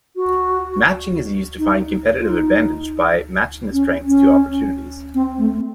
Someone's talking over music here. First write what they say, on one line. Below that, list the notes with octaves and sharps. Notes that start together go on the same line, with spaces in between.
Matching is used to find competitive advantage by matching the strengths to opportunities.
F#4
D#4
F4
D#4
C#4
C#4
C4
A3